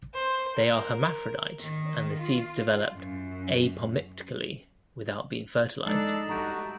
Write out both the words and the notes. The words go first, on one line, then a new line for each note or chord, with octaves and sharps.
They are hermaphrodite and the seeds develop apomictically without being fertilised.
C5
A#4
D#3
F4
F#2
G#3 D4 D#4 A4
G3 A3 F#4 A#5